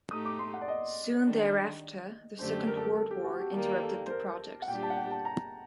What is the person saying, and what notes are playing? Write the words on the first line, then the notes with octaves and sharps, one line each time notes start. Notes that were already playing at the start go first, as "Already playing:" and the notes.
Soon thereafter, the Second World War interrupted the project.
A2 A3 D#4 G4 D#6
D6
C6
F#5
D5
D#5
D#3 G3 D4
F#2 D3 A3 D4 G4 C5
A#4
A4
A#4
A4
G4
F#4
G4
D#2 D#3 G3 A#3 G4
A4
C5
A#4
F#5
A#2 G3 D4 G4 G5
A5
F#5
G5
A5
A#5